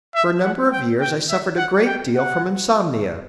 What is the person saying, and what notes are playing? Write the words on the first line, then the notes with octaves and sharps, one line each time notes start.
For a number of years I suffered a great deal from insomnia.
E5
F#5
G5
G5
E5
F#5
G5
F#5